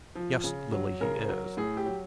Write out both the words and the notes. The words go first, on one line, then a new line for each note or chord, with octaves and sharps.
Yes, Lily, he is.
F3
C#3
F#3
C#3 A#4
F#3
A2 G#4
G4
F#3